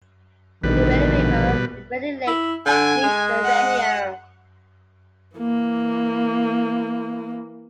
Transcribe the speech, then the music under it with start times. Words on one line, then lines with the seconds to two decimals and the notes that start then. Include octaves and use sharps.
The Rainy River and Rainy Lake meet at Ranier.
0.63 A#1 B2 D3 D#3 G3 B4
2.27 E4
2.66 D3 G#5
3.03 G#3
3.44 F#5
5.36 E3 A#3